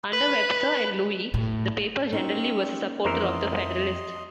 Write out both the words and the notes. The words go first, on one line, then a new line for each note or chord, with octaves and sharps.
Under Webster and Lewis, the paper generally was a supporter of the Federalists.
B4
A2
A#3 C4 C#4 D#4 C#6
F2 E3 A#4 C5 D#5 C6